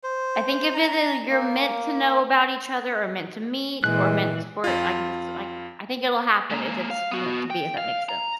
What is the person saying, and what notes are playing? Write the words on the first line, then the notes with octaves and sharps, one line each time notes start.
I think if it is you're meant to know about each other, or meant to meet, or meant t for i like, if it's, like, I think it'll happen if it's meant to be, if that makes sense.
C5
A#5
A#3
A#2 E3 G#3 F#6
F2 F4
G#3 A#3
F5
B3 F#4
G5
F5
A#5